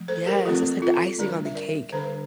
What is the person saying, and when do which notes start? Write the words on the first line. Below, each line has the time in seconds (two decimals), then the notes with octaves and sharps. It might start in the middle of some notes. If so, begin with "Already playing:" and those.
Yes, it's like the icing on the cake
Already playing: F3 A3
0.08 A4 C5
0.26 G4 A#4
0.45 F3 A3 C4 F4 A4
0.82 F4 A4
1.19 D3 G3 D4 A#4 D5
1.45 E5
1.55 A#4 D5
1.92 D3 G3 D4 A4 C5